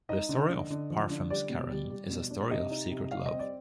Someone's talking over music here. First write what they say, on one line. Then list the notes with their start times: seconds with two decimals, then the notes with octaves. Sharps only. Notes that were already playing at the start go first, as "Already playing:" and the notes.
The story of Parfums Caron is a story of secret love.
0.09 D#4 D#5
0.29 D3
0.50 D3
0.70 D3
0.90 F3
1.10 D3
1.30 G3 D5
1.50 B2
1.71 G3
1.90 G3
2.10 B2
2.31 D4
2.51 C3 D#5
2.71 D#4
2.91 C3
3.11 G3 F5
3.26 D#5
3.32 C4
3.39 D5